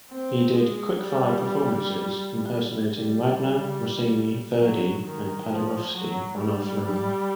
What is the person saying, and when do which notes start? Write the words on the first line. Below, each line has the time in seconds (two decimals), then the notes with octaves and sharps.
He did quick-fire performances, impersonating Wagner, Rossini, Verdi and Paderewski one after another.
0.12 C4
0.56 G#3
1.02 G3
2.81 G3
4.60 F#3
5.05 D#3
5.50 F3
5.95 F#3
6.40 G3